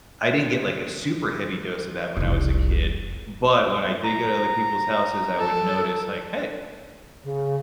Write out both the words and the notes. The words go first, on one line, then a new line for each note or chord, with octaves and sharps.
I didn't get, like, a super heavy dose of that when I was a kid, but when I did go to other people's houses, I would notice like, "Hey,
F1 C2
A#5
A4
C#3